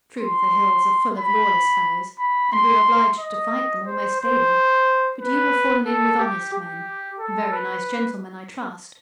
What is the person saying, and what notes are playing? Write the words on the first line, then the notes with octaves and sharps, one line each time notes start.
True, the hills are full of lawless fellows and we are obliged to fight them almost daily, but you have fallen in with honest men--very nice gentlemen, I trust.
C6
B5
B5
C6
D#5
C5
C5
B4
A4
G4
G4
A4
B4